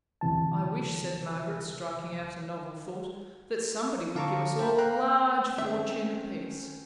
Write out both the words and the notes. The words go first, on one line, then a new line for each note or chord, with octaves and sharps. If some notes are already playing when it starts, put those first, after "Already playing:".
"I wish," said Margaret, striking out a novel thought, "that somebody would give us all a large fortune apiece!"
D2 C3 E3 A5
D3 F5 A5 A#5 C#6 D6
A#4 C5 E5 G5 A5 B5
F5 G5 A#5 F#6
D#3 A3 C4 C#4 E5